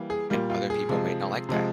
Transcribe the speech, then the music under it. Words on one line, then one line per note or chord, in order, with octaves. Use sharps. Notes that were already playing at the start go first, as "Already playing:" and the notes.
and other people might not like that.
Already playing: E3 G3 A#3
G#4
A#2 G3 A#3
F4
G#4
C3 F3 G#3
C3 F3 G#3